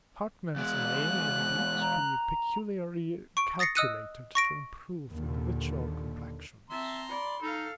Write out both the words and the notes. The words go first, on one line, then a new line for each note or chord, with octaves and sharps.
Apartments may, indeed, be peculiarly calculated to improve individual complexions.
E2 G#3 F#6
A#5
C#6 D7
D#6 A6 A#6 C7 C#7
D#5 D#6 E6 F#6 C#7 D#7
C#6 A#6 D7
D#2 A#2 D3
C4 E5 A5 A#5 C6
D5 B5
D#4 A4 F5